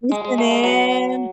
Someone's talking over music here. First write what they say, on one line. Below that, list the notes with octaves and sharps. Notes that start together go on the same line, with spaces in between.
listen in?
G#3
G#3
A3
G#3
F#3